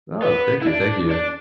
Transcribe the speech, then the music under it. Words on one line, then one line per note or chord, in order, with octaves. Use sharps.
Oh, thank you, thank you.
B3
E4
D4
D4